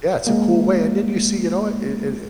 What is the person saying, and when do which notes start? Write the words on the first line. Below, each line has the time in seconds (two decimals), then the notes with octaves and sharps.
yeah, it's a cool way and then you see you know what? Eh eh
0.27 G#3 A#3